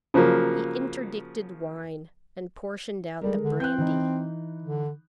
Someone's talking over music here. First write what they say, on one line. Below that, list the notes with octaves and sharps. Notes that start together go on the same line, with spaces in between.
He interdicted wine, and portioned out the brandy.
C#3 F3 F#3 A#3
G3 G#3 A4 A#4
D3
C4 F#6 G6
E3 D#4
D3